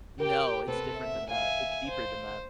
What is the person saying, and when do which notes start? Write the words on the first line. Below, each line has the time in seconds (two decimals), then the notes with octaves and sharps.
No, it's different than that, it's deeper than that.
0.20 G4 A#4 G5
0.68 C3 B3 C4 A4 B4
0.97 E5
1.31 D#2 E5 F5 G#5
1.88 C5